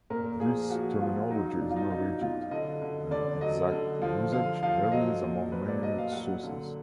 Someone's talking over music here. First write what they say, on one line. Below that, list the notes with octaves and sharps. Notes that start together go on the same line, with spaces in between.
This terminology is not rigid, and exact usage varies among many sources.
A#2 A#4
F3 G#4
F3 F#4
F3 F4
F#3 D#4
D#4
B2 D4
F4
D#4
F#3 D#4
B2 F4
D3 D#5
D3
D3 D5
F#3 D#5
D3
F3
D3 F5
F3 F5
F#3 D#5
A#2
A#2 B4
D5
F#3 D#5
F5
F#3 F#5
D3